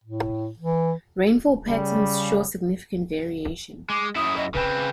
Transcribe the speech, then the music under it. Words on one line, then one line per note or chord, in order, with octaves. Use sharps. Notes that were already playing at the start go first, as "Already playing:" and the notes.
Rainfall patterns show significant variation.
A2
E3
C#3 G3
G#3 D6
F#2 E4 D#6
D#5
C#3 C4 B4